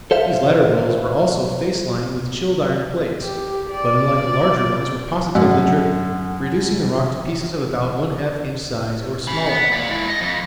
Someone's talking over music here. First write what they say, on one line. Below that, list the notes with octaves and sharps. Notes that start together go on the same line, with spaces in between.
These latter rolls were also face-lined with chilled-iron plates; but, unlike the larger ones, were positively driven, reducing the rock to pieces of about one-half-inch size, or smaller.
A4 C5 E5 F5
G4
D5
F#2 F#5
C#4 B5
B3
A#3 D5
G#3 E4
D#5
F2